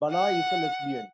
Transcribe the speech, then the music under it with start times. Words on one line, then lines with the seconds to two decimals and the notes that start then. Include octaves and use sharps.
Banai is a lesbian.
0.11 F#5